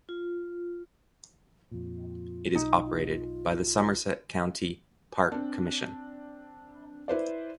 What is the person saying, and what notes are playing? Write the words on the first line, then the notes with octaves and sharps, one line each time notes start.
It is operated by the Somerset County Park Commission.
F4
F2 A#2 F4
B1 D#4
F4
C4 D4
E4 B4 C5 D5